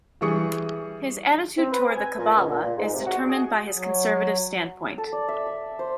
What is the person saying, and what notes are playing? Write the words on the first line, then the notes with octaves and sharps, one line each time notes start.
His attitude toward the Kabbalah is determined by his conservative standpoint.
E3 G3 G#4 C#6 D#6 C#7
C4
B4
G#5
A#2
C#2
A#2
A#2
G#2
C3
F#4
G#4
F#3
A4
D5
E5
E6
C5